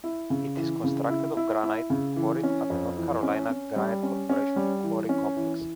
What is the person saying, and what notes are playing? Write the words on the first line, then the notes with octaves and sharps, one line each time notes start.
It is constructed of granite quarried at the North Carolina Granite Corporation Quarry Complex.
E4
C#3
E3
C#3
E4
E4
E4
C#3
E3
C#4
F2
E3
C#4
C#4
G3
C#4
C#4
G3
E3
C#4
E3